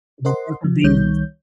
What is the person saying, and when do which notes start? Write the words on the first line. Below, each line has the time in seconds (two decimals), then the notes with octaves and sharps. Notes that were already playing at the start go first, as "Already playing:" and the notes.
the worker bees.
0.25 A#4 C5 D#5 F#5 C6
0.64 F3
0.84 C2 D#3 G3 C#5 G6